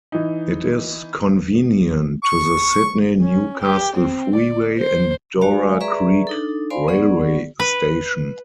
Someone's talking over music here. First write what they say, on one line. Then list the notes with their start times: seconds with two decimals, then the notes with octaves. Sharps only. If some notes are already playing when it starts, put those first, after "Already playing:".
It is convenient to the Sydney-Newcastle Freeway and Dora Creek Railway Station.
0.12 E3 D#4
2.24 C#6
3.23 C#4
3.61 G4
3.96 C4
4.35 D5
4.77 C5
5.41 G#3 F#4 D5 F5 G#5
5.80 G#4 B4 D5 E5 A#5 C#6
6.27 D4 D#4 A4
6.70 C5 D5 F5 G#5 B5 C6
6.88 B3 G#4 D5 F#5 C#6
7.60 B4